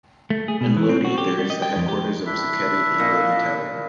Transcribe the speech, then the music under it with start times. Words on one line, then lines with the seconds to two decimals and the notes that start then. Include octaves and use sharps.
In Lodi there is the headquarters of 'Zucchetti', in Lodi Tower.
0.30 A3
0.48 G#4
0.61 B2
0.77 E3
0.89 C4
1.05 F#4
1.18 G4
1.39 G3
1.50 D#5
1.62 G5
1.76 F2
1.88 G4
2.26 D4 E4 E5
2.99 A#2 D#5